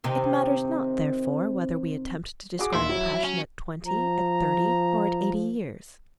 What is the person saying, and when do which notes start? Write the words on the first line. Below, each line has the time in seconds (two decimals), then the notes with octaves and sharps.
It matters not therefore whether we attempt to describe the passion at twenty, at thirty, or at eighty years.
0.04 C3 D#3
2.59 F#4 G#4 D6
2.73 A#1 D#2 E4 C6
2.89 F#3
3.24 C#4
3.86 F3 A#5